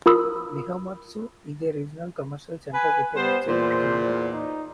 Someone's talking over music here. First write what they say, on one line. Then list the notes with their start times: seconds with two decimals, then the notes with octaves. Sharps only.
Nihonmatsu is a regional commercial center with a mixed economy.
0.06 F4 A#4 B5 D#6 E6
2.74 B4 G#5
3.16 G3 B3 C5
3.48 E2 A#2 C5
4.32 D#4